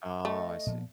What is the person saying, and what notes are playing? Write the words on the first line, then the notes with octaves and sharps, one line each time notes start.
Oh, I see.
A3 D#5
A#2 F3 B3